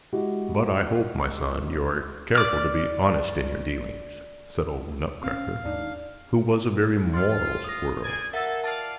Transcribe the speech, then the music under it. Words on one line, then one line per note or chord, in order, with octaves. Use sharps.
"But I hope, my son, you are careful to be honest in your dealings," said old Nutcracker, who was a very moral squirrel.
G#3 E4 F#4 G4
D5 D6 F6
C4 C#4 F5
D#2 G#2 D4 D#4
F4 C6 F6
D#6 A#6
C5 D5 G#5
A4 A#4 E5 F#5
F4 D5 F5 A5